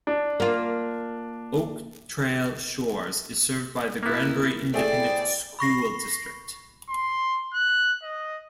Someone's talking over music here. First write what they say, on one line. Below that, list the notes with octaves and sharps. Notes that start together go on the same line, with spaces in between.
Oak Trail Shores is served by the Granbury Independent School District.
D4
A#3 F4
A#3 B3 E4
A3 C4 E4 G#4 D5 G5
B5 C#6 A#6 C7
C6
F#6
D#5